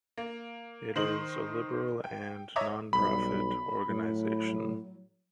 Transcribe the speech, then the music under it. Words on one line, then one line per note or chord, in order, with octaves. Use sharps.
It is a liberal and non-profit organization.
A#3
D#3 C5 D#5 F#7
G5
C#5 D#5 E5 A#5 D6 D#6
B1 G3 B5
A2 F#3